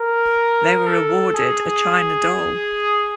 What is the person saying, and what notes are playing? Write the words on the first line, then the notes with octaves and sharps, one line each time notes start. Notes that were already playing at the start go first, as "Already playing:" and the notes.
They were awarded a china doll.
Already playing: A#4
A4
G#4